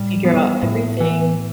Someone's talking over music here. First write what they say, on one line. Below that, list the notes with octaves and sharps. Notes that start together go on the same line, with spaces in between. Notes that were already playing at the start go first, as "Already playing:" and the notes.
figure out everything.
Already playing: A2 G3
B3
A2
E3